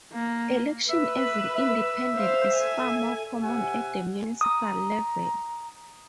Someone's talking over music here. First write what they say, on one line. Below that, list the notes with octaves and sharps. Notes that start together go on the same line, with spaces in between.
Election as an independent is far more common at the municipal level.
A#3
B4 E5
E5
C5 F5
A4 G#5
C3 E5 F#5 G#5
A#5 D#6